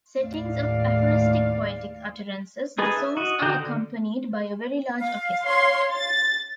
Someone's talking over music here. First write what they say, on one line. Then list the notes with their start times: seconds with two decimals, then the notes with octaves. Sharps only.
Settings of aphoristic poetic utterances, the songs are accompanied by a very large orchestra.
0.21 D#2 A2 D5 F5
2.78 D#4 G#4 B4 D#5 A5
2.97 E5
3.17 F#4 D#5
3.42 D3 D#4 F#4 G5 A#5
3.60 D3
4.99 F5
5.45 C#5 C6
5.92 A6